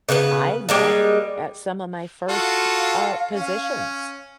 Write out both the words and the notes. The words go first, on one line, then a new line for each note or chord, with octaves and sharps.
I met at some of my first, uh, positions,
C#3 B3 A4 B4
G3 G#3 A#3
F4 F#4 A4 F5
C#4